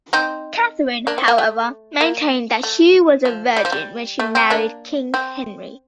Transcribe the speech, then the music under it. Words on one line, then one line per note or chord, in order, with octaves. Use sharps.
Catherine, however, maintained that she had been a virgin when she married King Henry.
C4 D#4
A#3 D4
C4
A#3
A3
A#3
A3
F3
G3
F3
G3
A3
C4
A#3 D4
C4